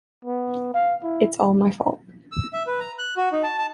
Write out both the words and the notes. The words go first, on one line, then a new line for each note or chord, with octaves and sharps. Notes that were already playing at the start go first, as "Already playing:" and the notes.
It's all my fault.
B3
F5
E4
E6
E5
B4
A#5
F#6
F#4
D#4
A5
A5